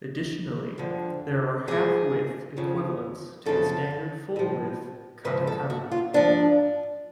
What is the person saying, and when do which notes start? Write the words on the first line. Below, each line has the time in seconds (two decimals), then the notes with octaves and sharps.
Additionally, there are halfwidth equivalents to the standard fullwidth katakana.
0.78 F2 D3 F3
1.68 G#2 F3 G#4
2.57 F2 C#3 F3
3.46 F#2 C#3 F3 A4
4.36 A2 F3
5.25 G#2 F3 B4
5.47 A4
5.70 F#4
5.92 F4
6.13 G#2 F3 D4